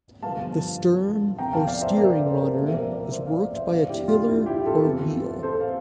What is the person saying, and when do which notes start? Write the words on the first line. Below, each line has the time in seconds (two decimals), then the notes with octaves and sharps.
The stern or steering runner is worked by a tiller or wheel.
0.23 G2 D3 F3 F5 A5
1.38 E2 C3 F3 G5 A#5
1.53 F5 A5
1.67 D5 F5
1.82 C5 E5
1.96 A#4 D5
2.25 A4 C5
2.39 G4 A#4
2.54 C2 A#2 F3 A4 C5
2.68 E5
2.73 A#4 D5
2.92 A#4 D5
3.12 C5 E5
3.27 D5 F5
3.55 C5 E5
3.69 E2 D3 F3 D5 F5
3.88 E4 G4
4.08 D4 F4
4.27 E4
4.46 E4 G4
4.66 F4 A4
4.85 F2 E3
5.43 A4 C5
5.61 F5